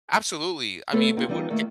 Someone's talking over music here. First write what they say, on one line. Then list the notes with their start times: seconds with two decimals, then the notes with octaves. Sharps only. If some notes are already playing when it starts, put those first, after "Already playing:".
Absolutely, I mean, but what okay.
0.93 A3 B3 C4 A4 B4 C#5
1.17 A#3 C4 D#4 F4
1.29 E3 G3 B3 D#4 F4
1.50 D#3 A3 A#3 A#4